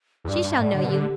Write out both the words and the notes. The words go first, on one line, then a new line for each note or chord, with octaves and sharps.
'She shall know you.
E2
G2 D5
G2
A2 D5 E5
D3
B2
D3 G4